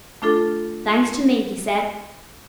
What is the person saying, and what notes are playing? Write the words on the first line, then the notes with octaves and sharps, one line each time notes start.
"Thanks to me," he said.
A3 D4 F4 A4